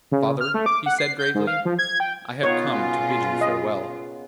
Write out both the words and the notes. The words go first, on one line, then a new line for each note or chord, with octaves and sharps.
'Father,' he said gravely, 'I have come to bid you farewell.
C#3
F6
A3
D6
F#5
C7
G6
G#2
F5
F3
G#6
G5
B2 D#3 B3 F4 C#5 F#5
C#3
D#5